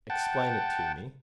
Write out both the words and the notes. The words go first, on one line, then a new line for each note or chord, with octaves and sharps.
"Explain it to me."
F#5 G5 A5